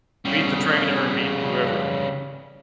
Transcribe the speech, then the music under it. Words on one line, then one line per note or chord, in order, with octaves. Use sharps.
Meet the trainer or meet whoever.
C#3 G3